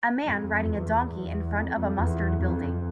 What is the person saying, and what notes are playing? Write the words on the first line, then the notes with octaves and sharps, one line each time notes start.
A man riding a donkey in front of a mustard building.
F2
E2
E2
F2
E2
F2